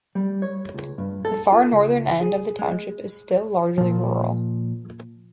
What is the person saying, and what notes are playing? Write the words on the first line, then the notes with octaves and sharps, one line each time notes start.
The far northern end of the township is still largely rural.
G3
C#5
C#2
G2
A4
F4
C#2
G#4
G#3
A#2 F3